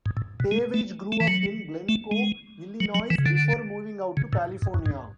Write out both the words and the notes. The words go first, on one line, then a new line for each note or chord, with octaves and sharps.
Savage grew up in Glencoe, Illinois, before moving out to California.
G#2
A2
B2
G#3
A3
A3
E3
F#3
A3
G#3
F#3
F#3
E3
C#3
D3
C#3
A2
G#2
F#2
G#2